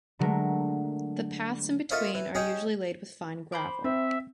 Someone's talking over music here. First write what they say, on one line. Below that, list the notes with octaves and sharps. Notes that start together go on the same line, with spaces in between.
The paths in between are usually laid with fine gravel.
D3 F#3 G#3 A3 A#4
F4 A4 A#4 C#5 D#5 E5
E3
C#4 D#4 G#4 G5 A#5
C5 B5 D6
C4 E5